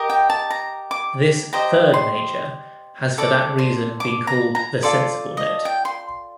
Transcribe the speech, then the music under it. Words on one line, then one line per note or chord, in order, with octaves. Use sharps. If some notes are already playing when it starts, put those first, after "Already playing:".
This third major has for that reason been called the sensible note.
Already playing: G4 A#4 D#5
G5
A5
A#5
D6
G4 C5 D#5 A#5
C6
A4 D5 D6
C6
D6
A#5
A#5
F4 A4 D5 C6
D#5
G5
C6